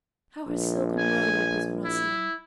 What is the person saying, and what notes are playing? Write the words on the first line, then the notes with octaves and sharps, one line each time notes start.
How her silken robe is rustling!
A#1
G#5
E4